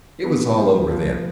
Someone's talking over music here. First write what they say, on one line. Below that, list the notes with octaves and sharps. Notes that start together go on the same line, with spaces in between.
It was all over then.
B3
F3
F3